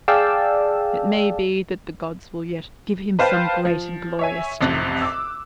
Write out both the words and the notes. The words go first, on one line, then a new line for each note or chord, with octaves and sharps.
It may be that the gods will yet give him some great and glorious chance.
G#4 D5 F5 G5 A5 E6
B4 C5 F5 G5 A5
F3
C#5 E5 G#5
A1 F2 C3 F#6
D6 E6